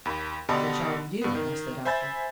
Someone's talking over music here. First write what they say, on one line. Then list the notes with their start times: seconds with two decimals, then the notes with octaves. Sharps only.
"What shall we do?" asked the doctor.
0.05 D#2 B5
0.49 B2 D3 G4 D#5 A5 B5
1.22 G2 B3
1.35 D#3
1.85 C5 E5 G#5 B5 G6 A6